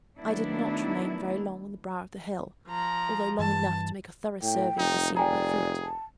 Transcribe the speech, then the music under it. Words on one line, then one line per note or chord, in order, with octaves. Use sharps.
I did not remain very long on the brow of the hill, although long enough to make a thorough survey of the scene at my feet.
D#3 F#3 A3 B3 D4 E4
F3 A#5
G2 E3 A5
A2 G5
F1 D#4
G#4 D5 G5 G#5 A#5
A5